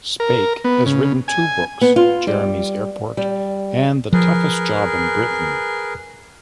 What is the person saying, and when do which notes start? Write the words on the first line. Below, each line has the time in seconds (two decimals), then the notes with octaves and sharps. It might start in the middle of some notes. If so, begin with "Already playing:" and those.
Spake has written two books: "Jeremy's Airport" and "The Toughest Job in Britain".
0.20 A#4
0.64 B3
0.86 C#3
1.28 G#5
1.81 B3
1.96 F4
2.27 G3
3.17 G3
4.13 F3 G#4 A#4 B4